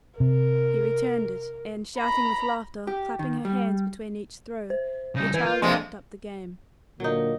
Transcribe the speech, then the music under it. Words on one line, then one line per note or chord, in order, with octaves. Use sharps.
He returned it, and, shouting with laughter, clapping her hands between each throw, the child kept up the game.
C3 A#4
A#5 B5
G4
D#3
G3
C5
C#3 G3 D#4
E3 B4 G#5
F4 C5
F2 C3 G#3 A#3 D4 D#5 C6
A#2 D3 F#3 A#3 D#4